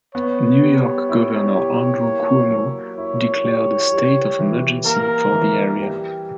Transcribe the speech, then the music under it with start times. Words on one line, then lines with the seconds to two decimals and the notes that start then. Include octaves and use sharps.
New York Governor Andrew Cuomo declared a State of Emergency for the area.
0.15 B3 C#5
0.62 G3
1.09 E4
1.56 G4
2.02 A#3
2.51 F#3
2.97 E4 C#5
3.44 G4
3.92 G3
4.39 E3
4.85 A#3 A#4
5.33 E3
5.79 G3 G4